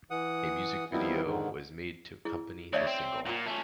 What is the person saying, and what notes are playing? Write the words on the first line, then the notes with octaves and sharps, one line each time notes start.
A music video was made to accompany the single.
E3 F#5 D#6
D#3 F3 G3 B3 C4 E4
G#2 D3 D#3
E4 G#4
D2 C#5 D5 E5
C4
A#2 F4 F#5
A3 C#4